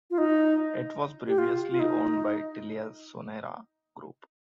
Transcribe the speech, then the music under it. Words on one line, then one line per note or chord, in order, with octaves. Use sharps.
It was previously owned by TeliaSonera group.
F4
D#4
G4
F4
F4
D#4